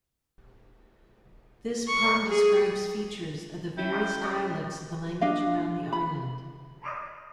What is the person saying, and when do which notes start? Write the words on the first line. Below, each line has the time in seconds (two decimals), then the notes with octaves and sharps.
This poem describes features of the various dialects of the language around the Island.
1.88 C#6
2.29 G#4
3.78 C#4 E4 G5
5.21 D4 D#5 F5
5.93 B5